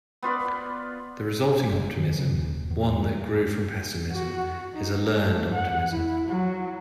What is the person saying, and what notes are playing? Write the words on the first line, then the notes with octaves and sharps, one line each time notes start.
The resulting optimism-one that grew from pessimism-is a learned optimism.
B3 F4 B4 D5
F#1
D#3
C#3
D#1
E2
F#4
D#4
A3
F#5
E4
F#3